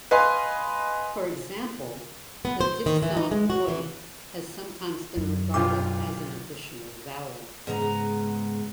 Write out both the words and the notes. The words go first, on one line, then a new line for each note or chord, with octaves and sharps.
For example, the diphthong oi has sometimes been regarded as an additional vowel.
B4 D#5 F5 G#5 C6
B3
C5
D#3
E3
D#4
G#3
F#4
E3
F#2
B1 G2 F4 D6
G#2 C#3 B3 A#5